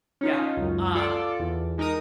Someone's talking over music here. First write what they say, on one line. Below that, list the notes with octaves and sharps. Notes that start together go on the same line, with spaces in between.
Yeah. Um,
C#4 D#4 F4
C#2 F#2
F4 A4 D5
E2
G#3 D#4 A#4 A#5 D#6